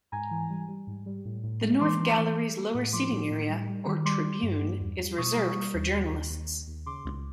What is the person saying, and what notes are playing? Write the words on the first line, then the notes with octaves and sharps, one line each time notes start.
The north gallery's lower seating area, or tribune, is reserved for journalists.
G#2 G#5 A#5
E3
G3
G3
G#2
G3
A2
A2
G#3
E3 C6 D6
E3
E3
A3
A3
A2
F3 C6 D6
A2
A2
G3
G3
D#3
G3 C6 D6
G3
G2
G3
E2
G3
B2 C#6 D#6
G3
G3
D#2
D#2
D#2
D#2
D#2
D#2
C#3 C6 D6
C#2